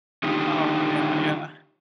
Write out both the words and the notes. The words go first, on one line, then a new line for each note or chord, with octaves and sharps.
Oh, yeah yeah.
D3 D#3 D#4 F4 G4